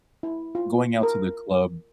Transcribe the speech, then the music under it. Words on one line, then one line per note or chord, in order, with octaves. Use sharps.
Going out to the club
E4
F4
A#4